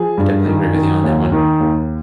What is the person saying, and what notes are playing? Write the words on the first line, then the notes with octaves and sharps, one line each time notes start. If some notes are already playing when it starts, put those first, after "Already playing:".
I definitely agree with you on that one.
Already playing: F3 G#4
G2
D#3
D#3
D#2
D#3
D#2